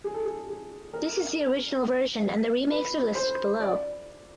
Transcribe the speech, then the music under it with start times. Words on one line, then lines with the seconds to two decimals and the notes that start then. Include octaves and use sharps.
This is the original version and the remakes are listed below.
0.04 G#4
0.14 A4
0.25 G#4
0.49 G#4
0.93 A#4
2.71 B4
3.15 C5
3.60 D5